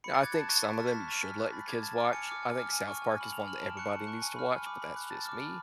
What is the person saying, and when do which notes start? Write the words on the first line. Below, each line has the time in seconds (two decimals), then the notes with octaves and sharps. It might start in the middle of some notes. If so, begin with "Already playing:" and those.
I think some of them you should let your kids watch. I think South Park is one that everybody needs to watch, but that's just me.
0.04 B5 C#7
0.14 A6
0.19 D6 F#6 G#6
0.34 A5 A6
0.49 C#6 F#6
0.60 A6
0.63 A5 B6
0.78 C#6 F6 A6
0.87 B6
0.93 A5 A6
1.09 C#6 A6
1.12 F6
1.23 G#5 B6
1.39 D6 F#6 B6
1.53 B5 A6
1.68 D6 F6 G#6
1.83 A5 A6
1.98 D6 F6 A6
2.12 G#5 C#7
2.27 D6 F6
2.43 G#5
2.58 D6 F6
2.73 G#5
2.87 C#6 F6
3.02 G#5
3.17 B5 F6 F#7
3.32 A5 F7
3.48 F6 F#7
3.62 A5 D7
3.77 C#6 F#6 C#7
3.91 A5
4.07 C#6 F#6
4.22 G#5
4.36 B5 F6
4.51 G#5
4.66 B5 D6
4.82 B5
4.96 F#6
5.11 A5 A6
5.26 D6 F6
5.41 B5